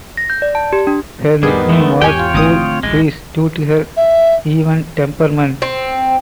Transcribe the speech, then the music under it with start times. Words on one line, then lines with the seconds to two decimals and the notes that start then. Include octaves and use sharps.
Her nickname was "Cool Breeze" due to her even temperament.
0.17 A#6
0.30 G6
0.42 D5
0.55 A5
0.73 G4
0.87 D4
1.43 F2 A2 D#3 G3 B3 G#4
1.69 G#3 A3
2.02 E2 G#2 G4 C#5 G5 G#5
2.18 F4
2.34 G#1 D3 A3 C4 D#6
2.83 A1 D2 G#3
3.97 E5
5.62 C4